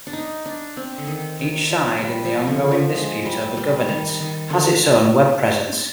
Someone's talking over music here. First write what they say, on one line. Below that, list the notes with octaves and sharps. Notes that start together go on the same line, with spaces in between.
Each side in the ongoing dispute over governance has its own web presence.
D4
D#4
D4
C4
D3
D#3
D#3
F3
G3
F3
D3
F3
G#3
G3
G3
D#3
D#3
D3